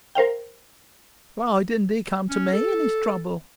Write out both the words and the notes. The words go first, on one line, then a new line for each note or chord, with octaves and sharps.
"Why didn't he come to me in his trouble?"
A#4 C5 F5 G5
C#4
A4